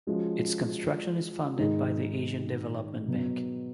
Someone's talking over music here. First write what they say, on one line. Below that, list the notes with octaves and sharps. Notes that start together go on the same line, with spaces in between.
Its construction is funded by the Asian Development Bank.
F3 G#3 C#4 F#4
G#2 D#3 G#3 D#4 G#4
B2 F#3 B3